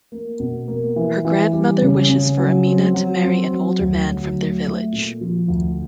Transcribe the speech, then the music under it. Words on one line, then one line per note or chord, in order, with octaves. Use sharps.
Her grandmother wishes for Amina to marry an older man from their village.
A#3
B2
A#3
E3
E3
G3
C#3
C#3
F#3
C4
F#3
C4
F#3
D2
F#3
A3
A3
A#2
F3
D2